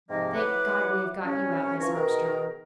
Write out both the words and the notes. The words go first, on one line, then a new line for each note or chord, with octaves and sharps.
"Thank God, we have got you out, Miss Armstrong."
G#2 C3 F3 A#3 D#5
F#3 E4 B4 F#5 D6
C2 C#4
E3 F3 C#4 A#5 C#6
B2 D#3 G#4 A#4